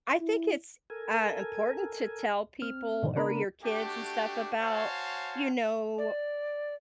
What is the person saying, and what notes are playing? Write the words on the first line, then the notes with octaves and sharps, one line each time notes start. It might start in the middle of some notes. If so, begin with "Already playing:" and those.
I think it's, uh, important to tell people or your kids and stuff about, you know,
E4
A4 A#4 G#5
C4 F6
G#2 B2 D3 D#3 F3
C#3 B3 D4 A#4 A#5 B5
A3 D4 F#4 G4
F#4 C5 C#5 F5 G#5 A5
D5